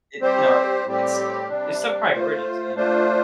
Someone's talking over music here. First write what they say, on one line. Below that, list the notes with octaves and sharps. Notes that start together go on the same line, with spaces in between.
it, you know, it's it's the priorities and
G3 C4 G4 C5
A2 G3 C4 G4
C3 G3 D4
A3 F4 C5
A3 D4 F4 C5